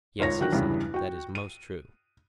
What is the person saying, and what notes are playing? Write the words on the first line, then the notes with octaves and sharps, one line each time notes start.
Yes, he said, that is most true.
G#1 C#2 C#5 A#6
F#1 D#2 D3 F#4 G5 F#6
E2 G2 C#3 E3 G3
F#4 G5
D#7